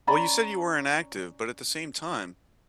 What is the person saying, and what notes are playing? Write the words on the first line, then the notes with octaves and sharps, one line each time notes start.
Well, you said you were inactive, but at the same time,
C#4 D5 A#5 B5